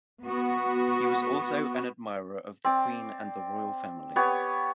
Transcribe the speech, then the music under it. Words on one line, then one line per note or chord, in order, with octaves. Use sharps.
He was also an admirer of the Queen and the Royal Family.
B3 F#4
C4 D5
B3 G4 C#5